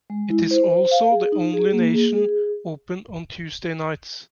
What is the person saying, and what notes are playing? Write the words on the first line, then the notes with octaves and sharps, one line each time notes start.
It is also the only nation open on Tuesday nights.
G#3
E4
C5
C5
F5
G#4
D#4
G#4
A#3
G#4
G#4